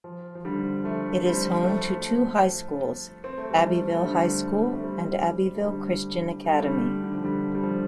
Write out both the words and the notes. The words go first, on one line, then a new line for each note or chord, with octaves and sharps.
It is home to two high schools: Abbeville High School and Abbeville Christian Academy.
F3
F3
D3 G3
F3 A3
G3 C4
F3 A3
C4
A3
G3
F3 A3
A3
D3 G3
A3
G3 C4
A3
D3 G3
G3
A3
D3 G3
D3
F3
D3 G3
G3
F3